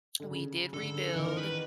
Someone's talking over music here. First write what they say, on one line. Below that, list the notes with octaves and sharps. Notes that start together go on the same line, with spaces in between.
we did rebuild
D3
C#3
D3 A4
E3
D#3 A#4
B4